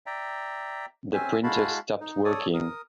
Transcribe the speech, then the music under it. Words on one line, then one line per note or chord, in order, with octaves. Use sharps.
The printer stopped working.
D5 E5 G5 A#5
C4 C#4 C5 E5 G#5
G#3 E4 F#4 F5 A5 B5
D#4
A4 C#5 D5 D#6
A#4 D#6